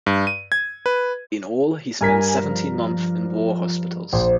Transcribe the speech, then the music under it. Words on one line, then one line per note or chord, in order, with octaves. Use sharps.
In all he spent seventeen months in war-hospitals.
G2
D#7
G#6
B4
G2 A#4 G#5 B6
F3
A#1 C5